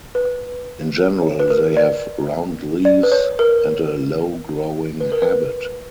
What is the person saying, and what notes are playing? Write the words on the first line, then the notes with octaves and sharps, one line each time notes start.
In general they have round leaves and a low-growing habit.
B4
C#5
B4
A#4
D5
D5
B4
C#5
A#4
B4
A#4
B4